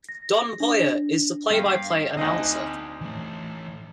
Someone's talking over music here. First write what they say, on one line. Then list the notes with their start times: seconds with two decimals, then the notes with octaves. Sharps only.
Don Poier is the play-by-play announcer.
0.09 A#6
0.60 D4
1.50 G2 F5 G5
2.17 D2 C4 D#4 D#5 G#5
3.01 E3 A3